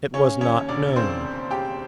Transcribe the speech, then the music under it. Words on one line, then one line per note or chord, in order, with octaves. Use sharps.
It was not known.
C#3 C#4 C#5
D#2 C#4 C#5
E1 D4 D5
C#3 C4 C5
E1
C#3 G4 G5